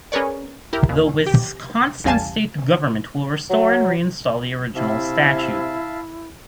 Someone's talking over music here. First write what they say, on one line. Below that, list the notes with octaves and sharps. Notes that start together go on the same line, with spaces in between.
The Wisconsin state government will restore and reinstall the original statue.
C#4 G#4 A#4 B4 C#5 D5
E4 G4 A#4
D#2 A#2
G4
A1 E2 G3 F5 G#5 A5
F#3
C3 E4 E5 F5 A5